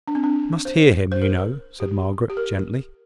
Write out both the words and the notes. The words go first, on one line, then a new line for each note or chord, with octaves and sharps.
"I must hear him, you know," said Margaret, gently.
D4
C4
D4
C5
C5
A#4
G4
G4
A#4